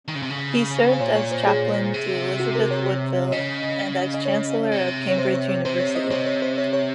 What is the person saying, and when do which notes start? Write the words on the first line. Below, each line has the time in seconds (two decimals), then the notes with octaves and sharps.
He served as chaplain to Elizabeth Woodville and as Chancellor of Cambridge University.
0.08 D#3
0.15 C#3
0.22 C3
0.30 C#3
0.93 C5
1.00 A#2 C#5
1.16 C#5
1.31 C5
1.47 G#4
1.94 C3
2.40 F#4
2.55 A#4
2.71 C#5
2.86 C#5
3.32 C#3 D#5
4.14 D#5
4.25 C#5
4.72 C3
5.10 C#5
5.18 C5
5.34 C#5
5.49 C#5
5.65 C3 C5
5.80 C#5
5.95 D#5
6.11 C3 C#5
6.26 C#5
6.42 C5
6.58 C#5
6.73 C#5